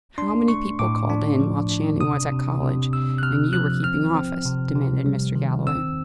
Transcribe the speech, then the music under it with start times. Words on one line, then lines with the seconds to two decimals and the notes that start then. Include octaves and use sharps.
"How many people called in, while Channing was at college, and you were keeping office?" demanded Mr. Galloway.
0.18 D4 C6
0.48 A3 C#6
0.79 A2 D6
1.10 D4
1.40 F3
1.70 D4
2.01 C3 D#6
2.32 C3
2.63 C3
2.93 C3 E6
3.18 F#6
3.23 C3 F6
3.53 F3 F#6
3.83 C4 F6
4.14 C4
4.45 C3
4.75 C3
5.06 G3
5.35 D#3
5.67 C4 E6